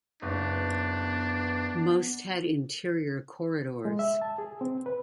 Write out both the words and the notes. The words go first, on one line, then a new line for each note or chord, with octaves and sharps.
Most had interior corridors.
F#1 B3 D4
G#3
E5
A5
G#4
C4
B4